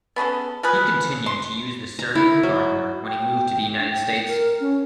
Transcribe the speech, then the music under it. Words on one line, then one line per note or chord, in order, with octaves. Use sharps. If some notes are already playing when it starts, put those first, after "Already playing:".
He continued to use the surname Gardiner when he moved to the United States.
B3 C#4 G#4 A4
F3 G#4 B4
C6
A#5
E4
F#3
G5
D4
G5
A#4
C#4